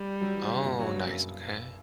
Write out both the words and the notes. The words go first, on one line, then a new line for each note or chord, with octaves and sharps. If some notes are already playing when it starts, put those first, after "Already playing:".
Oh, nice, okay.
Already playing: G3
F#3
E3
C#3
G2
A#2
G2 F#3
G2
F#2